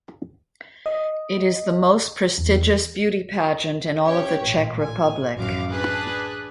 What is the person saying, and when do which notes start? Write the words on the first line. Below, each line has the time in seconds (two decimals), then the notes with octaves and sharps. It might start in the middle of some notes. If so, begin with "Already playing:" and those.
It is the most prestigious beauty pageant in all of the Czech Republic.
0.86 D#5
2.38 E2
4.05 C#4 G4 C#5 G5
4.41 A1 A#2
4.80 G#5
5.35 A1 F#2 D#3 F#4 F5 D6
5.71 D4 G#4 B4 F#6